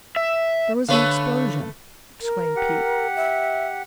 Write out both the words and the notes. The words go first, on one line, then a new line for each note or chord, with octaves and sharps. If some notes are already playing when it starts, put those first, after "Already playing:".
"There was an explosion!" exclaimed Pete.
E5
D3 A3 A4 B4 C#5 F5
A#4
G4 F#5
E5